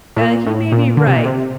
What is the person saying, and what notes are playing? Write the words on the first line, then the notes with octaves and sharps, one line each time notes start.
He may be right.
A2
A#2
A2
A#2
D3
C3
A#2
C3